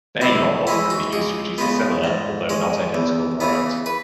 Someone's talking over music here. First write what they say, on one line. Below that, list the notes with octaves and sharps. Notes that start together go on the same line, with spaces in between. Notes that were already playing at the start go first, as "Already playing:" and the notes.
Bay laurel can be used to produce a similar, although not identical, product.
F#2 E4
E3 G#3 C#4 E4
F#4
C#2 G#4
C#3 G#3 B3
G#2
G#3 C#4
E2
C#3 E3 B3
B4